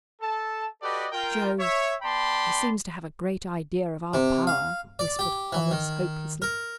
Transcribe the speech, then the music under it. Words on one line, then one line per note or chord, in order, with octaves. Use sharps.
"By Jove, he seems to have a great idea of our power," whispered Hollis, hopelessly.
A4 A5
F#4 G4 A4 B4 D5 D#5
F4 A#4 G5
C#5 E5
B3 D5 G5 A5 B5 C6
C3
F5
D5
G4
E3
D#3
A#4